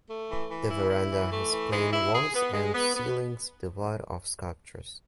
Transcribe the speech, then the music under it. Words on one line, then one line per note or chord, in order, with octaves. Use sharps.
The verandah has plain walls and ceilings devoid of sculptures.
A3
E3
E3
E4
E4
E3
A3
E3
G#3
E4
G#4
B3
G#3
B3
B3